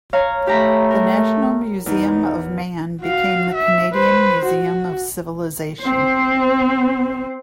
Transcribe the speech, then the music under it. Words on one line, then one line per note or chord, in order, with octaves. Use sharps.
The National Museum of Man became the Canadian Museum of Civilization.
C#5 F5 A#5
A3 G4 A#5 B5
A#4
E2 D#4
F#4 F5
E5
B4 C5
F#4
C4 C5